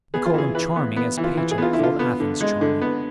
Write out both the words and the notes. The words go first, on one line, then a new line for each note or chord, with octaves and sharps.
We call him charming as Pater called Athens charming.
B3 G#4
F4
E3 G#4
E3 B4
B3
B3
E3
F4
E3
G#4
B3 F4
E4
D3 F4
B3
D3
G#3
D3
B3